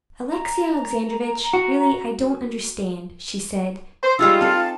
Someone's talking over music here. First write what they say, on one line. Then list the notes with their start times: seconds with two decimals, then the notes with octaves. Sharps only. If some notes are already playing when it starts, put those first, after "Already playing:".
"Alexey Alexandrovitch, really I don't understand," she said.
0.31 A#5
1.53 F#4
4.02 C5
4.19 G3 G#3 D#4 F4 E6
4.41 C4 A4 A5